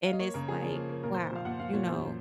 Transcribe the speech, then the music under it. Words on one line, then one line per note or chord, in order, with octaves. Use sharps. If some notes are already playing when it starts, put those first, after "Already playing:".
and it's like, "Wow," you know,
F5
D#5
A#3 C#5
C#3 A#4
F3 G#4
F3
A#3
A#3
A#2 A#4
C5
A#2
F3 F5
A#2 F#5
A#2 F5
A#2 C#5
F#2 C5